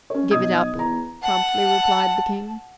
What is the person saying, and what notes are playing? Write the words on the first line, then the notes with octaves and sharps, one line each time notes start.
"Give it up," promptly replied the King.
C#4 C#5
B1 D#5 D#6 G#6
E2 A#5
F#5 A5